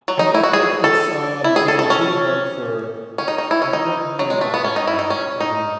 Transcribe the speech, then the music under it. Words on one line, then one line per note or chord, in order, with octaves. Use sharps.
I think that it's, um, you know, it's really hard for I I don't know if you've, um if you've
F#3
D#4
E4
F#4
G#4
A4
E4
G#4
A4
A4
C#4
C#4
D#4
D#4
E4
C#4
D#4
F#3
G#3
A3
B3
C#4
D#4
E4
D#4
C#4
D#4